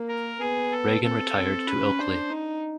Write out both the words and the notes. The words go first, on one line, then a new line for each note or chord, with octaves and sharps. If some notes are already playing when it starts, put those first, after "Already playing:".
Regan retired to Ilkley.
Already playing: A#3
A#4
B3 G#4
A4
C4 A4
C4
C#4 B4
D4 C5
D#4